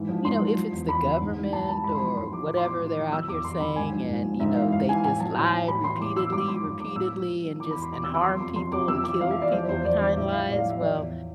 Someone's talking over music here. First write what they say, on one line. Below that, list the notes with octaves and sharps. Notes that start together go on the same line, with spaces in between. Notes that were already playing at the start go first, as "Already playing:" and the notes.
you know, if it's the government or whatever they're out here saying and you know, they've just lied repeatedly, repeatedly and just and harmed people and killed people behind lies, well,
Already playing: G#2 E3
F3
G#2 C6
F3
F3
E2
E2 B5
D3
G#2
E3
G#2 A5
E3 A5
G#2 B5
C6
F3 B5
G#2 C6
F3 D6
A2 D6
C6
E3 D6
A2
E3
F3 E6
E2 D6
E2 C6
D3 B5
G#2 G#5
F3
G#2
F3
G#2 E5
E3 F5
G#2 F5
E3 G#5
A2 G#5
F3 A5
A2
F3
A2 B5
E3 C6
A2 D6
E3 E6
G#2 D6
F3 C6
G#2 D6
F3 D6
A2 E6
F3
A2
F3
E3 D6
B5
E2
C6
E2 D6
E6
C3
D6
F3 C6
F2 C6
F2 C6
C3 D6
F2 E6
E3 D6
F2 F5
E5
E3 D5
F3 C5
E2 C5
E2 D5
D3 D5
A2 E5
F3 F5
A2 D5
F5
F3 E5
F3 D5
E2